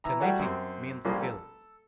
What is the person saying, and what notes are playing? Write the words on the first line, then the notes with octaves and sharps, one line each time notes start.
"Tanety" means hill.
E3 A#5
G3 A3 F#4 G4 A4 C#5
F#2 C4
A#1 F3 G3 A#3 C#4 F4
A4